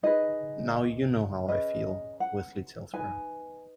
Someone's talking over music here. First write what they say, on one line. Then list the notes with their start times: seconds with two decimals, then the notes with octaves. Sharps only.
"Now you know how I feel," Wesley tells her.
0.03 D#4 G#4 B4 D#5
1.48 C#4 G#4 B4 D#5
2.20 F#5
2.93 D#4 B4 G#5